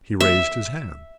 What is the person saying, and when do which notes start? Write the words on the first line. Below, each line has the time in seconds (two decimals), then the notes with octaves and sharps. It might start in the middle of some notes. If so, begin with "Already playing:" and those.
He raised his hand.
0.20 E5